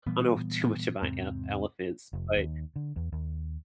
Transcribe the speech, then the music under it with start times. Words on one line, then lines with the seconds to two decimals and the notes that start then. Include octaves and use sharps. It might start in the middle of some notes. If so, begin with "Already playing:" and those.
I don't know too much about el elephants, but
0.07 A#2 E3 G3 B3
1.02 E2 G#2 C3 C4
2.13 F1
2.37 D#2
2.76 D3
2.96 E2
3.12 D#2